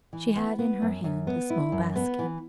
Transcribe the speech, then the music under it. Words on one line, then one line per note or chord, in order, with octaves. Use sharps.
She had in her hand a small basket.
E3
B3
B3
F#2
F#2
B3
E4
F#2
B3
E3